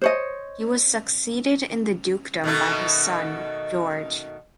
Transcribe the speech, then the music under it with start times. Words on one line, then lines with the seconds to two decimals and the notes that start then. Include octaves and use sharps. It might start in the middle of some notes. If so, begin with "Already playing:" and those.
He was succeeded in the dukedom by his son, George.
0.02 C5 C#5 D#5
2.44 B2 D#3 A3